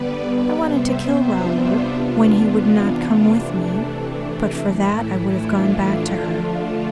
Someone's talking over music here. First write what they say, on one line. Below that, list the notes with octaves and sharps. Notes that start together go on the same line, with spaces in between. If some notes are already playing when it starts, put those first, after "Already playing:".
I wanted to kill Raoul when he would not come with me, but for that I would have gone back to her....
Already playing: D3 G3 B3 B4 D5
C3 G3 B3 C5 E5
C5 E5
D4 F4
C3 E3 B3
C3 E3 A3 D4
A2 E3 A3 E4
D4 F4
D3 F3 A3